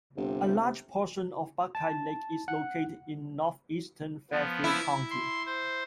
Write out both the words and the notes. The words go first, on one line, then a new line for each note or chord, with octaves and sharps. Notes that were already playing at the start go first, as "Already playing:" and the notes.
A large portion of Buckeye Lake is located in northeastern Fairfield County.
G1 C3
A5
F#5
F3 B3
E4
C6
C5